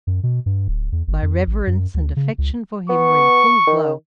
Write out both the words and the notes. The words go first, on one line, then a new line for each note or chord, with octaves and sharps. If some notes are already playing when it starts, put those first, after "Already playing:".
My reverence and affection for him were in full glow.
F#2
B2
G2
D1
E2
G1
F2
A1
F#2
D2
C#3
C#2
B3 C#6
D#3